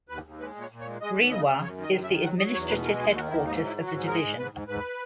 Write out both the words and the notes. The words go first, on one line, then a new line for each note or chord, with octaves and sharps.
Rewa is the administrative headquarters of the division.
D#2 B4
D#2
G#3 B4
A#2
C#5
A#2
C#5
G#3
G#3 D#5
D#2
C#3 D#5
C#3
F#2 C#5
D#3
D#5
F#2
E5
D#3
F#3 F#5
F#3 D#5
E2 C#5
B2 B4
G#3 A#4
D#2 G#4
D#3 F#4
D#2 E4
G#2 D#4
F#3
E4
F#3
F#4
G#2
G#3 A#4
G#2
G#2 B4
G#2
G#2 B4